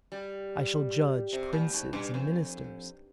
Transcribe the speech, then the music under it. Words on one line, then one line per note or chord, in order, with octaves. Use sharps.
I shall judge princes and ministers.
G3
C3
A#2
G#2
G2
F2